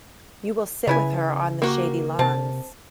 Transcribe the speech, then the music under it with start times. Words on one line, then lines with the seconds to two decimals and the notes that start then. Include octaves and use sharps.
You will sit with her on the shady lawns.
0.87 C#3 B3 E4 G#5
1.62 A#3 F#4 G4
2.19 C3 C4 A5